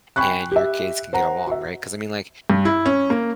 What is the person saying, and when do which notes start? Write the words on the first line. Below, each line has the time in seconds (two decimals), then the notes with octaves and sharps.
and your kids can get along, right, 'cause I mean, like
0.16 G5 G#5 B5 C#6 F#6
0.52 G4 E5
1.13 C5 F#5 A#5
1.47 F#4 E5
2.50 G2
2.65 E4
2.86 C#4
3.10 A#3